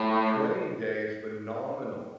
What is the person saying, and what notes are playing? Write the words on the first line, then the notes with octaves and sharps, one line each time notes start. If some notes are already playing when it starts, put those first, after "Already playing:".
Training Day is phenomenal.
Already playing: A2